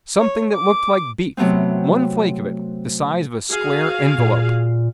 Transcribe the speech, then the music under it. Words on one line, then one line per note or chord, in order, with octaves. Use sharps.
Something that looked like beef: one flake of it the size of a square envelope.
C#5
D6
C3 F#3 A3 B3 C4
F#4 G#4 F5
A#2